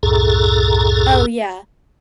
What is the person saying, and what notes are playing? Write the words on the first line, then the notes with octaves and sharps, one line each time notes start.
Oh, yeah.
C2 F#2 A2 G#4 A4 A#5